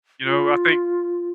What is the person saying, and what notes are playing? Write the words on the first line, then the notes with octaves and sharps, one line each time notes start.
You know, I think
F4